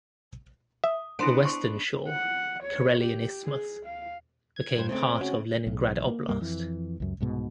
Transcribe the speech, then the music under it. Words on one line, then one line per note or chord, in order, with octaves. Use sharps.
The western shore, Karelian Isthmus, became part of Leningrad Oblast.
E5 D#6
B3 D4 E4 C5 C6 D7
C#6
F#5
C#5
G4
G#4
F5
G#6
G2 C5
C#3 A3 C4 C5
C#4 F#4
B1
A#3
C2 G2 G3 A#3
F2 E3
C#2 F#2
C2 G#2 B2